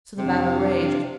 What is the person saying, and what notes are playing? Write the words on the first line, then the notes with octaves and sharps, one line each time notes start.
So the battle raged.
F2 C3 D4 F5